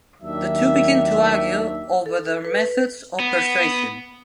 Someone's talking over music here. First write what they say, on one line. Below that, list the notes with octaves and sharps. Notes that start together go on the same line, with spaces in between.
The two begin to argue over their methods of persuasion.
D#2 D#3 F#3 D4 E5
A4
B4
B3